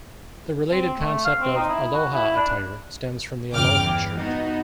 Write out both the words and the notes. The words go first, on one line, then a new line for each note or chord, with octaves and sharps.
The related concept of "Aloha Attire" stems from the Aloha shirt.
C4
A3
F5
C4
D#4
E4
F#4
E4
D4
G1 E2 C#3 G5 D6 F6
E3
B3 D#4 F#4